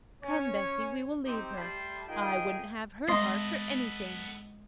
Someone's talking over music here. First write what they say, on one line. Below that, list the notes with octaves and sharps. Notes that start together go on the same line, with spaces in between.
Come, Bessie, we will leave her: I wouldn't have her heart for anything.
C#4 C#5
C4 D#4 G4
G3 A3 G4 A5 B5 C6
D#3 D#4 F4 G#4 G5
G#3 B3 A4 D#5 C6 C7